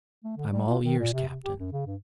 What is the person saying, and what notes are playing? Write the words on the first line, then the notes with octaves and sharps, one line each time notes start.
"I'm all ears, captain."
A3
D3
G3
F4
D#3
A#2
C3
C3
G4
F#2
C#3
G2